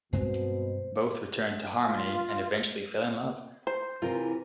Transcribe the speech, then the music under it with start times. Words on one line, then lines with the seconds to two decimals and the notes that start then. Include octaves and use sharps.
Both returned to Harmony and eventually fell in love.
0.13 G2 B2 G#3 C4 C5
1.85 F4
3.67 C5
4.02 C3 E3 F4 A#4